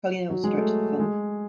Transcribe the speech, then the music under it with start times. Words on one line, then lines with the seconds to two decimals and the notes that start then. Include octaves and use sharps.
Carlino also directed the film.
0.30 F#3
0.44 G#3
0.58 A3
1.00 G#3